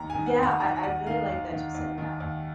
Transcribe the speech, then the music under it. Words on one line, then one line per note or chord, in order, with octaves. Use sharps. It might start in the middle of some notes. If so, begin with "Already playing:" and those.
yeah, I I really like that you said that,
Already playing: D#2 A#5
D#3 G#5
F#5
D#2
F#5
D#3 A#5
D#2 F#5
D#3 F5
D#2
D#3
D#2
D#3
D#2